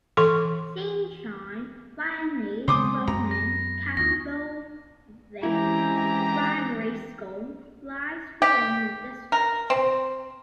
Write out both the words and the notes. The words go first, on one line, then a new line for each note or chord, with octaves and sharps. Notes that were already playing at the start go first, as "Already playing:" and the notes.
Saint John Vianney Roman Catholic Primary School lies within the district.
E3 A4 C6 C#6
C#3 F#3 G#3 B3 C4 C5 D6 D#6
F#2 A#5
B3 A#6
D2 D#4 F4 C#6 A#6
E3 G#3 C4 C#4 E4 G4 G#5 A#5
G4
A#4
C4